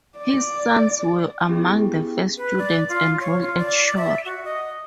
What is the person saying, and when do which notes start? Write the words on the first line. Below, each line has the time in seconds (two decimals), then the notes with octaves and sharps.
His sons were among the first students enrolled at Shore.
0.18 D5
1.48 B3 C#4 E4 F4 G4 G#4
2.37 B4
2.58 D5
2.89 F4
3.20 C#5
3.41 F4
3.58 D5
3.96 E5
4.25 F#4
4.44 D#5